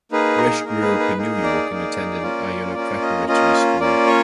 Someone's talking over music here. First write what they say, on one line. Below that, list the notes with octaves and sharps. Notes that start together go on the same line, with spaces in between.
Resh grew up in New York and attended Iona Preparatory School.
A#3 D#4 G#4 B4
A#4
A#3 D#4 G#4 A#4
B4
B4
A#3 D#4 G#4
D5
A#3 D#4 G#4
A#3 C#4 F4
A#3 C#4 F4 D5
D#5
A#3 C#4 F4 D#5
A#3 C#4 F4 D5
C#5